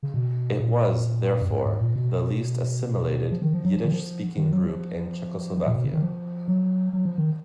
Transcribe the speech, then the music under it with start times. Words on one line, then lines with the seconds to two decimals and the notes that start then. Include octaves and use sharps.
It was, therefore, the least assimilated, Yiddish-speaking group in Czechoslovakia.
0.03 C#3
0.14 B2
0.60 A#2
1.42 F#2
1.50 G#2
1.65 G#2
1.81 A#2
1.96 B2
3.31 F3
3.42 D#3
3.53 F3
3.65 F#3
3.76 F3
3.85 D#3
3.92 F3
4.37 D#3
4.52 F#3
4.67 F3
5.57 F3
5.67 A#2
5.76 B2
5.85 C#3
5.94 D#3
6.02 F3
6.48 F#3
6.93 F#3
7.05 F3
7.18 D#3